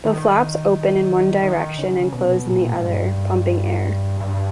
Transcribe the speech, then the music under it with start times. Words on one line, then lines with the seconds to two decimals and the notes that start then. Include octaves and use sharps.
The flaps open in one direction and close in the other, pumping air.
0.05 D#3
1.43 D#3
1.78 C#3
2.13 B2
2.47 A#2
2.72 G#2
2.83 G2
4.21 G2